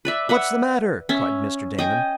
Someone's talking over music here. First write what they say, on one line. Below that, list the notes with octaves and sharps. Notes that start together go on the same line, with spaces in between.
"What's the matter?" cried Mr. Damon.
B4 D5 E5
B4 E5 F#5
C#4 E5
D#5 G5 G#5